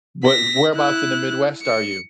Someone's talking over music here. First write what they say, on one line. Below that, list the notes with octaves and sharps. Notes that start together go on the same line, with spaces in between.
but whereabouts in the Midwest are you?
A#6 B6
E4 F#6
C#7